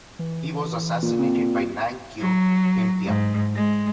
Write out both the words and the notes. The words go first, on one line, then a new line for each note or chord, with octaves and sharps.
He was assassinated by Nang Keo Phimpha.
E3
A#2
C4
F#3
G#2
G#3